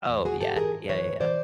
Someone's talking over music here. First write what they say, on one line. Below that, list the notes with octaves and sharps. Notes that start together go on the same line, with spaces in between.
Oh, yeah, yeah, yeah, yeah.
E2
E3 F#4 G#4
G#2 G4 A4
E3 G#4 A#4
G#2
E3 B4 C#5
G#2
E3 C5 D5